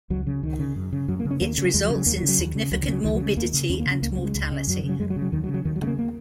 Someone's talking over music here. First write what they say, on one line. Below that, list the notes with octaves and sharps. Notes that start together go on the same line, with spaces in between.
It results in significant morbidity and mortality.
C#2 F#3
C#3
C#2 D#3
C#3
F#2
C#3
F#2 F#3
A#3
C#3
C#4
D#2 A#3
C#3
F#3
D#2 G#3
F#3
C#3
F#3
D#2 A#3
F#3
C#3
F#3
D#2
C#3
C#2 F#3
D#3
C#3 F#3
C#2 D#3
F#3
C#3
G#3
D#2 A#3
C#3
D#2 C#4
A#3
C#3
C#4
C#2 A#3
F#3
C#3
G#3
C#2
C#3
F#2 F#3
D#3
C#3
F#3
F#2 G#3
F#3
C#3
F#3
D#2 D#3
F#3
C#3
F#3
D#2 D#3
F#3
C#3 G#3
A#3
A#3